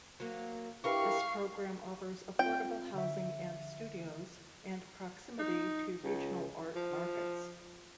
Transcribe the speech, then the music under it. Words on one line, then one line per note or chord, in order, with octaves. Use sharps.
This program offers affordable housing and studios, and proximity to regional art markets.
F#3 A#3
D4 E4 G4 A#4 B4 F5 C#6
C4 F4 G5
D3 E5
D#4
C#2
F3